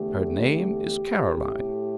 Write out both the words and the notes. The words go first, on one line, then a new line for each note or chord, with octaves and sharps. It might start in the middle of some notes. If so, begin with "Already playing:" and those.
'Her name is Caroline.
Already playing: E2 D3 A3 G4
A2 A3